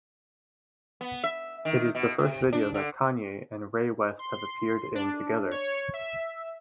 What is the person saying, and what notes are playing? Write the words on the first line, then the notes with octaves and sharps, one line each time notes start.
It is the first video that Kanye and Ray West have appeared in together.
B3
E5
D#3
B2
C3
D4
D3
C6
D4
C#5
E5